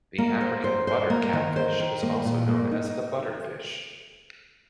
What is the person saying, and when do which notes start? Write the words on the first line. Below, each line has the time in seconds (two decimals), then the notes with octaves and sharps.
The African butter catfish is also known as the butter fish.
0.18 A#3
0.41 C5
0.64 C5
0.87 C5
1.10 A#3
1.33 D#3
1.56 C5
1.80 D#3
2.03 A#3
2.25 A#2
2.48 A#3
2.71 D#4